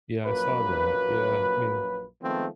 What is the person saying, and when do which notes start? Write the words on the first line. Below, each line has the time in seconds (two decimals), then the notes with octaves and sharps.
Yeah, I saw that. Yeah, I mean
0.25 A#1 F#2 F#3 A#3 B4
2.22 D#3 F3 G#3 A3 B3 C4